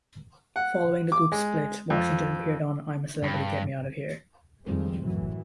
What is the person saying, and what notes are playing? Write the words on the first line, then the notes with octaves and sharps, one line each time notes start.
Following the group's split, Washington appeared on I'm a Celebrity...Get Me Out of Here!
F#5
D6
G#3
F2
G2
F2 D#3 F3 G3 G#3 C4
C2 F#2 A2 E3 F#3